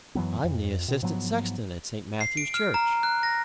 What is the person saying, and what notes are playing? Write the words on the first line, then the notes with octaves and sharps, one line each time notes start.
"I'm the assistant sexton at St. Matthew's Church."
F#2 E3 F#3 B3
F2
B2
G#2 F3 F#3 B3
C7
D7
F6
A#5
F#6
A#6